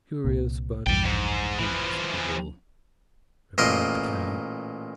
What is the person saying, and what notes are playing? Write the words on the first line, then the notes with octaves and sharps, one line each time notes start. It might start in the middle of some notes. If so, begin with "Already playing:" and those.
"Curious, but comfortable," replied the Cow.
C2 A#2
A#1 E2 G2 D5 G5
G#2
E3 F3
A1 A#2 A#4 D#5 C6